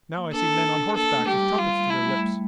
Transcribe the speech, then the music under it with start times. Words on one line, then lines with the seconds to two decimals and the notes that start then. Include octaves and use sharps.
Now I see men on horseback with trumpets to their lips.
0.17 A#3
0.33 D4 A4
0.95 A#3 A4
1.11 A3
1.27 G3 G4
1.58 F4
1.90 A3 E4
2.06 G3
2.21 A3